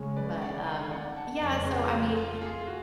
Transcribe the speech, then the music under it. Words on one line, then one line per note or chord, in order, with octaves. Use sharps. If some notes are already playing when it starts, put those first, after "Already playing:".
But, um, yeah, so, I mean,
Already playing: C#3 G#3 C#4
B4 D5
D5 F#5
F5 G#5
D5 F#5
F#5 A5
F2 C#3 G#3 B4
C#5
G#4 B4
F4
F4
A4
F4 G#4
F4
F#4